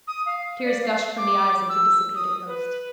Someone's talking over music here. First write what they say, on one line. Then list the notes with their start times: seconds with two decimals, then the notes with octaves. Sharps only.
Tears gushed from the eyes of the dissipated host.
0.07 D#6
0.26 F5
0.64 D5
0.83 F5
1.18 D6
1.69 E6
2.15 D#6
2.47 B4